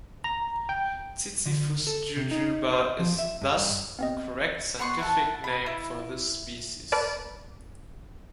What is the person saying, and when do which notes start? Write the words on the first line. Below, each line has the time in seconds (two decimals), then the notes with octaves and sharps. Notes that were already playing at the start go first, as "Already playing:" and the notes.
"Ziziphus jujuba" is thus the correct scientific name for this species.
0.24 A#5
0.69 G5
1.46 D3
1.87 A4
2.17 C3
2.31 D#4
2.72 C5
2.99 F3
3.19 E5
3.41 G2
3.99 B3 C4 D#5
4.79 B3 F#5 C6 C#6
4.99 E4 F#5 A5
5.44 B5
5.66 E4
6.92 A#4 B4 D5 A5